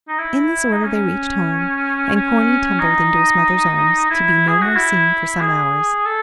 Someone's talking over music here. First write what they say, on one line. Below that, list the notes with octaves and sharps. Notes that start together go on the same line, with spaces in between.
In this order they reached home, and Corny tumbled into his mother's arms, to be no more seen for some hours.
D#4
E4
D#4
C#4
C#4
D#4
E4
G#4
F#4
E4
G#4
A4